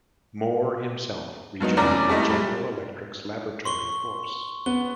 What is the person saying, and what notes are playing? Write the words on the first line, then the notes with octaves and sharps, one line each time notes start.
Moore himself rejoined General Electric's laboratory force.
G2 F#3 B3 D#4
F1 E2 C#4 D5 A#5
F2 G3 A3 E4 D#5
G3 G#3
C6 C#6 G7
B3 G7